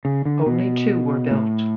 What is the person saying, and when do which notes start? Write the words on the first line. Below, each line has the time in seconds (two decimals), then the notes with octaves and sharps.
Only two were built.
0.05 C#3
0.25 D3
0.46 B2
1.31 A2